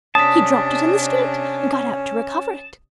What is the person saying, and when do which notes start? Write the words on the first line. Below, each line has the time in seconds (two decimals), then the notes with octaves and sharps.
He dropped it in the street, and got out to recover it.
0.15 C3 C#4 D4 A5 D#6 B6